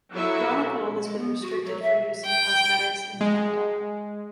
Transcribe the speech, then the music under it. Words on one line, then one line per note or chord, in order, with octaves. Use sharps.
Bronopol has been restricted for use in cosmetics in Canada.
F#3 G3 E4 F#4 A4 E5
G#3
B3
F#4
F#3
E5
G5
G#3